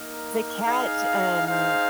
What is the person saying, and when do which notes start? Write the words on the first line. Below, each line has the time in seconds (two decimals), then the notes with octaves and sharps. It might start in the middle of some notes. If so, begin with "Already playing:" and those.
the cat, um,
Already playing: A#3 D#4 A#4
0.65 D#4 G#4 F5
1.47 D#4 G#4 C5 F5